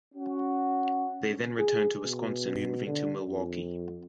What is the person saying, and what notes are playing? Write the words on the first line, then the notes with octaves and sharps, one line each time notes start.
They then returned to Wisconsin, moving to Milwaukee.
C#4 F#4
G#4
B2
D3
F2